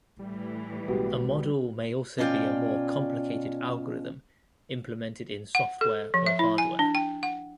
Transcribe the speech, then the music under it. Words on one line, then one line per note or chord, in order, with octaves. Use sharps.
A model may also be a more complicated algorithm implemented in software or hardware.
A2 E3 G3
B1 G#3 B3 F#4 G4
B2 C#4 F4 C#5 D5 G5
F#5
A4
F3
E5
E4
G#5
D4
G5
F#5